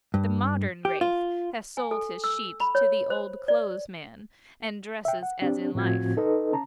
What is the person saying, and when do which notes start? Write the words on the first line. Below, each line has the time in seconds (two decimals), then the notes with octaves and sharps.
The modern wraith has sold his sheet to the old clo'es man, and dresses as in life.
0.14 G2
0.85 G4
1.01 F4
1.77 G#5
1.91 A4
2.24 E6
2.60 B5
2.75 C#5
3.10 C5
3.48 D5
5.05 E5 G5
5.23 F#5
5.42 C4 D4 G4
5.75 A2 F3 C4 F4 F#4 G#6
6.17 D#4 A4 B4 D#5
6.53 C#4 A5 A#5